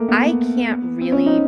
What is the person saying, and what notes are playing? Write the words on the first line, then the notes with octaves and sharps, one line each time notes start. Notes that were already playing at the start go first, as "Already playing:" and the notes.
I can't really
Already playing: A3 A#3
B3
C4
C#4
D#4